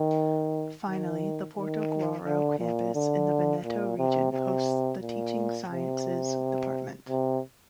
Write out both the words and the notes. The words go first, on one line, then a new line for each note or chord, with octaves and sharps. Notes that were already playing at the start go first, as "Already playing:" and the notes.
Finally, the Portogruaro campus in the Veneto region hosts the Teaching Sciences Department.
Already playing: D#3
D#3
D#3
D3
A#2
D3
A#2
C3
C3
A#2
C3
C3